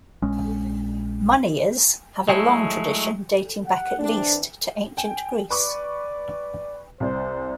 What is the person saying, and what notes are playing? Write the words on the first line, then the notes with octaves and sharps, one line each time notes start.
Moneyers have a long tradition, dating back at least to ancient Greece.
A#1 G#3 C#4
F#3 G#3 A3 E4
F#5
E3 C4 D4
G5 G#5
B4 D5 C#6 D6
C2 C5 D5